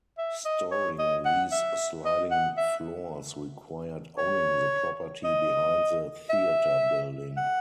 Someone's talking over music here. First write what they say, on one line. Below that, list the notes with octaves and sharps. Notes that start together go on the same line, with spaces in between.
Storing these sliding floors required owning the property behind the theater building.
E5
D#5
C#5
D#5
F#5
E5
D#5
F#5
E5
C#5
D#5
E5
F#5